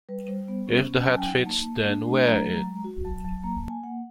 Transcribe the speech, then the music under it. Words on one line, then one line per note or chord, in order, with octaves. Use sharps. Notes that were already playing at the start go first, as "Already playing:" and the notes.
If the hat fits, then wear it!
G3 B4
G3 C5
B3
C#4
C#4
A5
F#3 G#5
G5
D#4 F#5
A#3 A5
A#3
D4
A3
F#3 A#5
F#3
G#3
F#4
F#3 A5
F#3 A5
A#3 A#5
A5
A#3
G#5
A#3 F#5